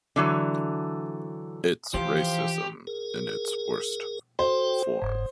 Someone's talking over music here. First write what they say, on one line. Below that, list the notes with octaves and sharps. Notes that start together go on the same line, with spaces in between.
It's racism in its worst form.
D3 E3 F#3
E3 F3 G4 C5
G#4 A#4
F#4 A4 C5 G5
F#1 G#2